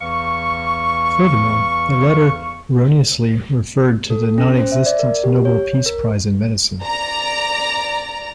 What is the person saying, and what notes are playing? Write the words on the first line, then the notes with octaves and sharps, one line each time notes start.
Furthermore, the letter erroneously referred to the nonexistent Nobel Peace Prize In Medicine.
E2 E3 F5 C#6
A4
C#4
C5
E5
D5
A#4
G4
C#5
A#4
D5 A#5